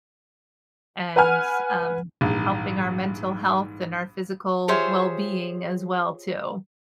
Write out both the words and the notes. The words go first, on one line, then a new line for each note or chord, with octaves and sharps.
and, um, helping our mental health and our physical well-being as well, too.
B4 F#5 G#5 F6
A#1 G#2 E3 G3
F4 G4 G#4 C5 C#5 E5